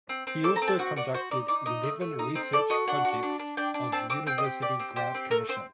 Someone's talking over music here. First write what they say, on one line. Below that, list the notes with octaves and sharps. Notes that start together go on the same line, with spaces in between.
He also conducted eleven research projects of University Grant Commission.
C4
C4
A4 D6
A#5
C4
A5
F#4 F#5
F#4 D5
F#4 C5
D#4 D5
D#4 D5
D#4 D#5
A3
A3
D#4
C4
A4 D5
F#4 D#5
D4 F#5
F#4
D4
D4
D4 G5
D4
C4 A5
C4 D6
C4 G5
D#5
G4
G4 D5
C4
G4 C5
C4
A3 A#4
C4 C5